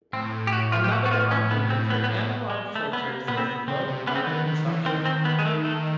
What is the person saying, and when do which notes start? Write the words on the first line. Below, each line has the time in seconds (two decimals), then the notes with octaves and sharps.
Another argument for analog filters is low power consumption.
0.13 A2 C4
0.47 G4
0.52 F#4
0.72 F4
0.84 G4
0.92 F#4
1.06 F#4
1.11 F4
1.31 C#4
1.51 B3
1.70 C4
1.90 B3
2.04 B3
2.10 A#3
2.50 G#3
2.75 A3
2.93 B3
3.02 A#3
3.28 A#2 B3
3.37 C4
3.45 B3
3.68 C#3 C4
3.88 C3
4.07 C#3 B3
4.15 C4
4.24 D#3 B3
4.46 D#3
4.66 E3
4.85 D#3 C4
5.05 C4
5.25 B3
5.39 G#3
5.45 A3
5.65 A3